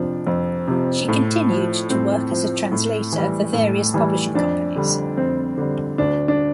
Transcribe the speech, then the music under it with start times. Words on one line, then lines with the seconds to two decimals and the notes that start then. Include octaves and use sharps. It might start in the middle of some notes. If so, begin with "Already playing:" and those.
She continued to work as a translator for various publishing companies.
Already playing: F2 C3 F3 D4
0.27 F2
0.68 C3 F3
1.08 A2
1.50 F3
1.90 A2 C4
2.31 F3
2.72 A2
3.13 E3
3.18 G3
3.53 A2
3.94 E3 G3
4.35 F2 D4
4.76 D3 G3
5.17 F2 C4
5.58 D3 G3
5.98 D2 D4
6.28 D4